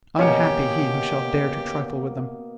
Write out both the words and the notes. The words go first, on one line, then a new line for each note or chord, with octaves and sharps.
Unhappy he who shall dare to trifle with them!
B2 A#3 C#4 G4 C#5 C#7